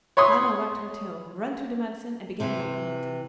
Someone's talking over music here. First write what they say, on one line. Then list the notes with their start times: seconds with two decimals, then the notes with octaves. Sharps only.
Nana wagged her tail, ran to the medicine, and began lapping it.
0.17 C#5 B5 C6 D#6
2.40 C3 E3